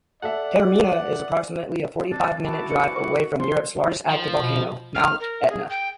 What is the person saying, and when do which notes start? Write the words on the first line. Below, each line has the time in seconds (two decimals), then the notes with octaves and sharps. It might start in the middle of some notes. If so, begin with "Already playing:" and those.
Taormina is approximately a forty-five-minute drive away from Europe's largest active volcano, Mount Etna.
0.23 A4 D5 E5 F#5
2.11 F2 D4 A6
2.45 E4 F#4 A5 D6
2.70 D4 B4 C5 C#7
2.96 F#5 C#6
3.40 F3 C6
4.10 F3
4.37 B2
4.95 F6
5.20 A#4
5.49 G#4
5.70 G5